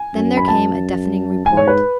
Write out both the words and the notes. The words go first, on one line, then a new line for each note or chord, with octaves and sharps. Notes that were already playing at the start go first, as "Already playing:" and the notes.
Then there came a deafening report.
Already playing: G#5
F#2
B5
A5
G#2 G#5
C#5
B4